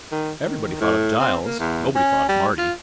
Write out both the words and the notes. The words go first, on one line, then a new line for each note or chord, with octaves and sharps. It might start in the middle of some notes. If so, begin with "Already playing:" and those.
Everybody thought of Giles; nobody thought of Marty.
D#3
D#3
A2
C4
A#3
E2
C#4
G3
F4